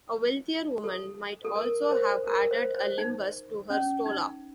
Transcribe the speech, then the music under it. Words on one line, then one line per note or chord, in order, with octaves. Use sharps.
A wealthier woman might also have added a limbus to her stola.
A4
A4
A#4
A#4
C5
A#4
C5
C5
D#4
C#4
D#4